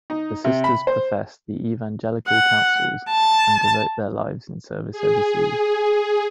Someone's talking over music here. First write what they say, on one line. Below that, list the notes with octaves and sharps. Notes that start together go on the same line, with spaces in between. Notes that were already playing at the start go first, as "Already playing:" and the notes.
The sisters profess the evangelical counsels and devote their lives in service overseas.
D#4
C3
B5
C5
F#5
A5
G#4